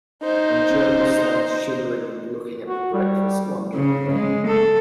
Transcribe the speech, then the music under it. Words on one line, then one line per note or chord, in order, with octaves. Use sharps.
And Jo stands shivering and looking at the breakfast wonderingly.
D#4 C5
F#4
G3
C#3
G#3
A4